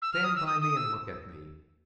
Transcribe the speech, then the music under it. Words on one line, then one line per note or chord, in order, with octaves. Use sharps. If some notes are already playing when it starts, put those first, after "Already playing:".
Stand by me and look at me.
E6
F6
D#6
E6
D#6
D#6
E6